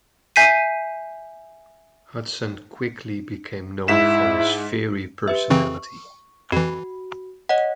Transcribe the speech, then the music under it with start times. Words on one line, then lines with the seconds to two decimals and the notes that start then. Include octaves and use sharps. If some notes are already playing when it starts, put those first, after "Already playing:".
Hudson quickly became known for his fiery personality.
0.36 E5 G#5 G6 B6 C7 D#7
3.88 G#2 E4 B6 E7
5.28 G4 B4 E5
5.50 C#3 E3 C4 C#6
6.52 F2 E3 F#4
7.49 C#5 D#5 F#5